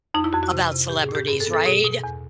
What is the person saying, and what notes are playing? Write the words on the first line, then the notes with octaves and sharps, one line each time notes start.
about celebrities, right?
F2 D#4
E4
F2 F#4
F#4
C3
C3
A2 G4
G#4
A2
G4
G2 G#4
A4
B3
A4
B2 G#4
B2
E2